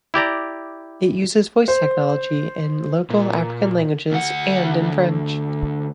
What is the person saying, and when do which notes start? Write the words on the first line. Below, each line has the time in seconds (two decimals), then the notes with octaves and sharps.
It uses voice technology in local African languages and in French.
0.14 E4 G4 D5 A#5
1.68 C5
3.10 A#2
4.12 D2 F#5